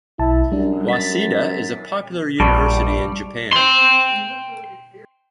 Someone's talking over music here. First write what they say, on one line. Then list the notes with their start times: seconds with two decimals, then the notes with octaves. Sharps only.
Waseda is a popular university in Japan.
0.19 B1 E4 A5
0.52 F#2 G3 D4
0.88 A6 B6
2.40 A#1 G3 A5 B5 C#6
3.53 G5 C6